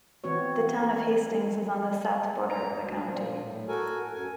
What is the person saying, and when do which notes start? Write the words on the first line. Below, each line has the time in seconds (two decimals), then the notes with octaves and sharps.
The Town of Hastings is on the south border of the county.
0.24 E3 B3 C4 F#4 C#5
2.48 A#5
2.79 D2
3.03 A#2 F3
3.41 A2
3.68 F#4 A4 A#4 G#5
4.14 F#2 G#5